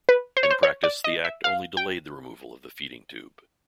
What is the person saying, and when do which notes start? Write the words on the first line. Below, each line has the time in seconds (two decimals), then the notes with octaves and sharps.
In practice, the act only delayed the removal of the feeding tube.
0.09 B4
0.37 C5
0.43 C#5
0.51 C5
0.63 C#5
0.84 D5
1.04 D#5
1.25 E5
1.44 F5
1.77 G5